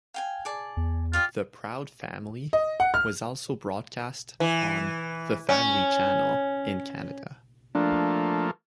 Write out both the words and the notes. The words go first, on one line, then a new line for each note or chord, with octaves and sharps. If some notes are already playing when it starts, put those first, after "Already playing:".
"The Proud Family" was also broadcast on The Family Channel in Canada.
F5 G5 G#5
G#4 D5 A5
E2
F4 G4 D5 F5
D#5
F#5
F6
E3
C#4
F3 A3 A#3 D4